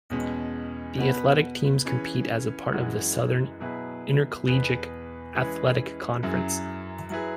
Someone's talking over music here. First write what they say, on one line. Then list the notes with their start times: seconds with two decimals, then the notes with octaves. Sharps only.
The athletic teams compete as a part of the Southern Intercollegiate Athletic Conference.
0.10 E2 B2 G#3 C#4
0.98 B2 B3 F#4 B4
1.85 E3 C#4 G#4 B4
2.73 F#2 E3 G#3 C#4 F#4
3.60 B2 F#3 E4 G#4 B4
4.47 E2 B2 B3 G#4 B4
5.35 E3 G#3 C#4 G#4 B4
6.23 F#2 F#3 E4 G#4
7.10 F#3 E4 G#4 B4